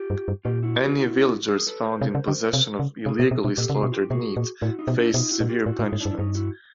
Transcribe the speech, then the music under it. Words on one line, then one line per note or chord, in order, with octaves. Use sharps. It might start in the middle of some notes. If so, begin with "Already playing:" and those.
Any villagers found in possession of illegally slaughtered meat faced severe punishment.
Already playing: F4 G4
G2
G2
A#2 F4 G4
E4 F#4
F4 G4
E4 F#4
G#4 A#4
A4 B4
A#4 C5
C3
C#3
D3
C3
C#3
C3 G#4 A#4
B2
B2
B2
A#2 G4 A4
C#3
C3 F#4 G#4
B2
F4 G4
B2 F#4 G#4
A#2
A2 E4 F#4
D#4 F4
B2
D4 E4
B2 D#4 F4
E4 F#4
A#2
F4 G4
A2 E4 F#4
A2
D#4 F4
G#2
G2 D4 E4
E4
G2 C#4 D#4
E4 F#4